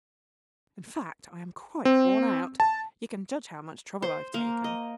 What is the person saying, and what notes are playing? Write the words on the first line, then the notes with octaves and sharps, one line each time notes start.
In fact, I am quite worn out; you can judge how much trouble I have taken!
C4
A5
C5
A#3
D#5